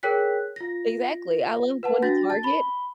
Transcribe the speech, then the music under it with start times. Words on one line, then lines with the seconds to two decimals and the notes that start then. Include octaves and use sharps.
Exactly. I love going to Target.
0.03 G#4 A#4 C#5 G5 F#6 B6
0.56 F4 A#6
1.83 B4 F#5 A5
2.02 D4 F#4 A6 A#6
2.30 A5 A6
2.43 B5 G7